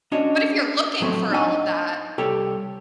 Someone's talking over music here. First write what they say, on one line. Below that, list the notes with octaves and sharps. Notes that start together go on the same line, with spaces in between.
But if you're looking for all of that,
C#4 D4 F#4 C#5 D#5
A2 F3 F#3 A3 C4
D4 D#4 G#5
C2 G4 A4 C#5 G5